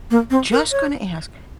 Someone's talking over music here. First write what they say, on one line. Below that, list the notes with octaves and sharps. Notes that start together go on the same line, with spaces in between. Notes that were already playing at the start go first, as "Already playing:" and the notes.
Just gonna ask.
A#3
C4
A#4
C#5